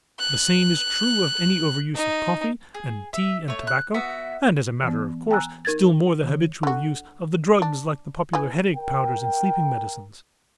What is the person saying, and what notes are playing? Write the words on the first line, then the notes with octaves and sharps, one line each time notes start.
The same is true of any overuse of coffee and tea and tobacco, and as a matter of course still more the habitual use of the drugs like the popular headache powders and sleeping medicines.
F#6
D#4
G#4
E5
A3 C#5
F#6
B3 F#4 E5
E3 B3
G5 G#5 A#5 E6 F#6
D#4 A#4 G#6 A6
D#3
D3 F#4
D4
E3 G#4
A#4 G5